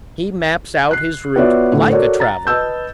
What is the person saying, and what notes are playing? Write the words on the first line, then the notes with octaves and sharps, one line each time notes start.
He maps out his route like a traveller.
F#6 C7
B3 F4 F#4 C#5 D5 E5
A2 D3
F#4 A4 A#4 C#5 D5
A#5 A6
B4 D#5 A5 E6 G6